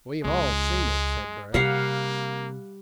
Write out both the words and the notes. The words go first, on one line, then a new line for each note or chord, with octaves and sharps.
"We've all seen it," said Bert.
C#2 G#3
C3 G3 A#3 F5 F#5